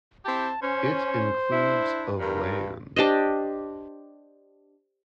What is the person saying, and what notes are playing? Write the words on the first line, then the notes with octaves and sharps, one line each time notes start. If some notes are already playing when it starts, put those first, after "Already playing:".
It includes of land.
C4 E4 G4 A5
C#4 C5
D4 E4
G2 A#4
D4 G4 C5 D#5